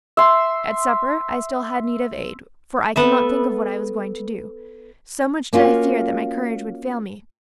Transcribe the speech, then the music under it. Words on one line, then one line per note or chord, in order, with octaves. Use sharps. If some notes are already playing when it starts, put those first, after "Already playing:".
At supper I still had need of aid, for I could not think of what I was going to do, so much did I fear that my courage would fail me.
E5 C6
B3 A4 E5
A#3 C#4 F4 F#4